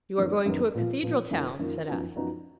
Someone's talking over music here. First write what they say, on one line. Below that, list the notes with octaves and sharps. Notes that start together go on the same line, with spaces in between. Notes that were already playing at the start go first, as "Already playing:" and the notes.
You are going to a Cathedral town?' said I.
F#2 D#3 F#3 B3
F#2 D#3 F#3 B3
A#2 F3 B3 F4
A#2 F3 B3 F4
F#2 D#3 A#3 F4
F#2 D#3 A#3 F4
F#2 F3 B3 D#4 F#4
F#2 F3 B3 D#4 F#4